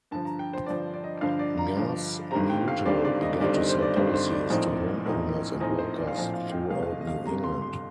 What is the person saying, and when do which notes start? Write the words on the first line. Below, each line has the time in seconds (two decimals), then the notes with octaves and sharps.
MassMutual began to sell policies to homeowners and workers throughout New England.
0.11 G2 D3 F3 A5
0.25 A#5
0.39 G5
0.53 C5
0.66 G2 D3 F3 D5
0.94 D5
1.04 D#5
1.21 G2 D3 F3 F5
1.39 D5
1.58 A#5
1.76 G2 D3 F3
2.31 G1 G2 D#3 G3 C4 A#5
2.50 G5
2.68 F5
2.86 G1 G2 D#3 G3 C4 D5
3.05 D5
3.22 D#5
3.40 G1 G2 D#3 G3 C4 D5
3.54 D#5
3.69 C5
3.82 D5
3.96 G1 G2 D#3 G3 C4 C5
4.14 C5
4.33 D5
4.50 A#1 A2 F3 C4 D#4
5.05 A#1 A2 F3 C4 D#4
5.60 A#1 A2 F3 C4 D#4 D#5
5.79 C5
5.98 D5
6.08 F5
6.15 A#1 A2 F3 C4 D#4 D#5
6.34 F5
6.52 G5
6.70 G1 F2 C3 G3 F5
6.83 F5
6.88 D#5
7.01 D#5
7.07 F5
7.25 G1 F2 C3 G3 A#5
7.44 C6
7.62 C6